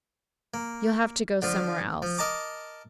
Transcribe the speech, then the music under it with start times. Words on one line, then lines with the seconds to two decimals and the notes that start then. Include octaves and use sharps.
"You'll have to go somewhere else."
0.54 A#3
1.42 D3 F3 F4
2.02 F3
2.18 A#4 D#5 A5 A#5 D6